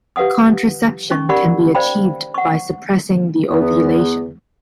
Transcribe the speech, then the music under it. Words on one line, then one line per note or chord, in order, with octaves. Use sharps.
Contraception can be achieved by suppressing the ovulation.
G4 B4 F5 F#5 D#6
C#4 D#4 C#6
G4 A#4 D5 F#5 B5 C#6
C5 D5 F5 G5 B5
F#5 C#6
E2 B3